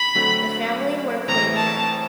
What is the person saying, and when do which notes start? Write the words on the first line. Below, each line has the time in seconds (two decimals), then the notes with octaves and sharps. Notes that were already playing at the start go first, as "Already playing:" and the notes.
The family were Quaker.
Already playing: B5
0.15 D3 F#3 A3 C4
1.28 A2 E3 A3 C4 E4 A#5
1.56 A5